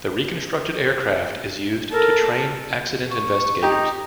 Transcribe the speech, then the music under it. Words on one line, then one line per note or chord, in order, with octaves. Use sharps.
The reconstructed aircraft is used to train accident investigators.
A4 A#4
C#6
D#4 G4